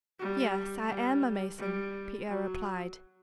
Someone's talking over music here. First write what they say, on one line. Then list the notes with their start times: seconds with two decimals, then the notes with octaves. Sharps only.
"Yes, I am a Mason," Pierre replied.
0.19 G3
0.89 G3
1.58 G3
2.28 F#3